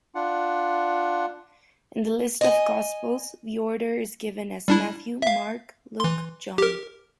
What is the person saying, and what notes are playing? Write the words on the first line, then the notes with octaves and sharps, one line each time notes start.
In the list of gospels, the order is given as Matthew, Mark, Luke, John.
D4 F4 F#5
D#5 G#5
G3 D4 E4
E5 F5
E3 C6
G4 A#4